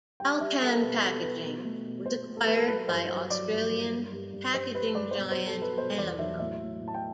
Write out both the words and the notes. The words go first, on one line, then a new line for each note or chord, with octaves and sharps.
Alcan Packaging was acquired by Australian packaging giant Amcor.
G3 G5
G3 E5
G3 A4
B2 B4
G3 A4
G3 B4
B2
A3
B2
B2 C5
A3
A4
A3 B4
A4
F#3 B4
G2 C5
F#3 C5
F#3 D5
G2
G2
G3
G2
G2
G2 C5
G3 B4
G2 D5
C5
B2 D5
C5
F#3
A4
F#3
B4
B2 C5
E2 D5
F#3 E5
A2 E5
A3
A2
A5
G5